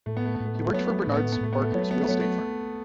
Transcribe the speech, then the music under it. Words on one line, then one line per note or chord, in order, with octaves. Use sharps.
He worked for Bernard Barker's real estate firm.
A2 A3
B3
A3
B3
A2 A3
B3
A3
F#3 B3
A3
B3
A2 A3
B3
A3
B3
A2 A3
B3
A3
F#3 B3
A3
B3
A3
F#3 B3
A3